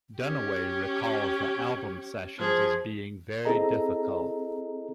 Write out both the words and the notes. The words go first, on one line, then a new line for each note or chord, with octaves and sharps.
Dunaway recalled the album sessions as being very difficult.
C#4 G4
F3 G#4
C4 E4 G#4 A4 D#5 A#5